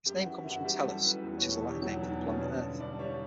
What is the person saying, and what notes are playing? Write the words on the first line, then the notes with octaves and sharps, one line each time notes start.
Its name comes from Tellus, which is the Latin name for the planet Earth.
F#2 G4
F#4
E3
E4
F#2
F#4
G3 G4
F#2 A4
E3 B4
E2
C#5
B2
A4
E2 G4
F#3 F#4
D4
E2
D4
B2
C#4
G2 D4
D3
G2 D5
G3 C#5